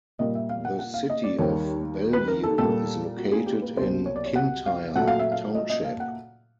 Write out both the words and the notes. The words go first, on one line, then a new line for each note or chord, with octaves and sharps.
The city of Belview is located in Kintire Township.
A#2 G3 A#3 D#5
E5
F5
F#5
F#5
F5
D#5
D5
D#2 D#3 G3 A#3 C#5
B4
A#4
A4
A#2 G3 A#3 A4
F#4
G#4
G4
B4
C2 B2 F#3 A#3 C5
C#5
D5
C#5
F#5
F5
A#2 F#3 A3 F#5
F5
E5
F5
D#5
D#5
F5
F#5